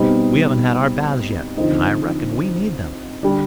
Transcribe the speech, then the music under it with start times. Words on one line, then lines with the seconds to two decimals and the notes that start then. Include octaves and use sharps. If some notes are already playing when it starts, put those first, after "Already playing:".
"We haven't had our baths yet and I reckon we need them."
Already playing: B2 G3 C4 D#4
1.57 D3 F3 C4 D#4
3.23 D3 G3 D4